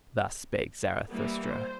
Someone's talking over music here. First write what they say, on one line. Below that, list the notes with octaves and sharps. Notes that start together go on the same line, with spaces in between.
Thus spake Zarathustra.
E3 G3 A#3 B3
C5